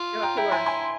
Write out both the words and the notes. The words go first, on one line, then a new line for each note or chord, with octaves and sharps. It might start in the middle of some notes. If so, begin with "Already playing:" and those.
You have to learn
Already playing: F4
G5 A#5
E4 G5 A#5
G#5 C6
G#5 C6